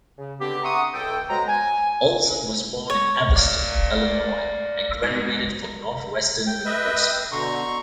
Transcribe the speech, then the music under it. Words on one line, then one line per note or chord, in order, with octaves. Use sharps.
Olson was born in Evanston, Illinois, and graduated from Northwestern University.
C#3
D3 B3 C4 D4 G4
E5 F#5 A#5 C6 C#6 D#6
C#2 A4 G5
B2 F#3 G#3 C5 D#5 A#5
G#5
C#5
D5 F5
G#2
G5
B4 D#5 E5
B2 D3 A#5 C6 C#6